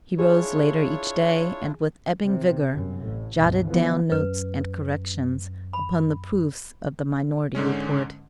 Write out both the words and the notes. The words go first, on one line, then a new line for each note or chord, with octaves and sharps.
He rose later each day and with ebbing vigour, jotted down notes and corrections upon the proofs of the Minority Report.
D4 E4 F4 G#4 C#5
C3
G1 F#2
A1 A2
C#2 G2 B2
D3 E3 F3 G#3 B3
F#2 B4
B5
G#2 D3 G#3 C#4